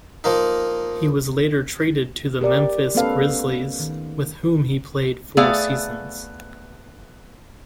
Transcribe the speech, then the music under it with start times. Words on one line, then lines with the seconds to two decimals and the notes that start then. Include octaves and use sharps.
He was later traded to the Memphis Grizzlies, with whom he played four seasons.
0.24 F3 A#3 D#4
2.41 G4 A#4 D5
2.95 A3 B3 C#4 A4 B4 F5
3.80 D#3
5.37 A3 B3 G#4 D5 F5